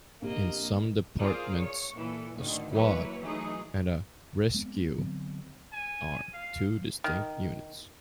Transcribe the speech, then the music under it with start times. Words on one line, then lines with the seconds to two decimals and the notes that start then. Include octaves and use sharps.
In some departments, a "squad" and a "rescue" are two distinct units.
0.22 A#1 C3 A#3 D#5
1.19 F4 G#4 A#4 C5 D5 F5
1.59 C#5
1.97 A#2 E3 A4
2.35 D2 A2 D3 D#3
2.71 E3 F#3 A#3 E4 B4 C#5
3.19 E3 F#3 A3 D#4 G#4
4.54 G#3 B3 C4
4.98 D3 F#3 B3 C4
5.73 G#5
6.34 F5
7.04 D#3